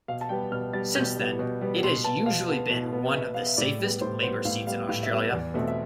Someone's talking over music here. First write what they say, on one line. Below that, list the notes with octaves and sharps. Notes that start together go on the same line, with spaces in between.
Since then, it has usually been one of the safest Labor seats in Australia.
B2 F5
A5
G3 B3 G5
B2 F6
G3 B3 A6
B2 G6
G3 B3
B2
G3 B3
B2 C6
B3 A5
B2 F5
B3
B2
B3
B2 E5
B3 F5
E5
A2 D5
G3 B3
A2 C5
G3 B3 C5
A2 F5
G3 B3 F5
A2 F5
E5
G3 B3
E5
E2 D5
B2 A3 C4
E5